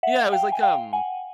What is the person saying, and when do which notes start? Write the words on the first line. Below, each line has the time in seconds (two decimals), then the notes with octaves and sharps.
Yeah, it was like, um,
0.03 E5 F#5
0.32 F5 G5
0.52 G#5
0.62 F5 G5
0.93 F#5 G#5